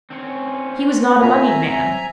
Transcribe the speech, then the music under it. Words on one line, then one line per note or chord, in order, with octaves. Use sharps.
He was not a moneyed man.
C4 C#4
A#2 F4 E5 G#5 A#5